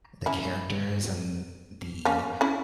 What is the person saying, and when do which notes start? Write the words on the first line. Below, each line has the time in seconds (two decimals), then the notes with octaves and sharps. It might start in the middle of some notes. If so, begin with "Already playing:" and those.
the characters and the
0.26 C#4 E4
2.05 A#3 C#4
2.41 C#4 E4